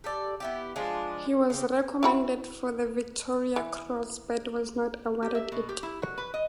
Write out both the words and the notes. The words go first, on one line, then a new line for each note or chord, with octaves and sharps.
He was recommended for the Victoria Cross but was not awarded it.
G4 A4 D5
B3 E4 G4
F3 G#3 D4 F4
C#3 G4
E4 F#4 B5
E3
G4
E5
B2
G4
E4
F#4
B4
D#5